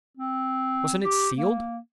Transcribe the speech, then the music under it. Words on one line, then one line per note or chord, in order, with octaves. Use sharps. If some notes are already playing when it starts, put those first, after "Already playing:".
"Wasn't it sealed?"
C4
G4
A#3